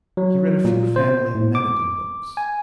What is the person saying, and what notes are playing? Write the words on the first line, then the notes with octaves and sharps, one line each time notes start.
He read a few family medical books.
F#3
A#2
C5
A2
D6
G#5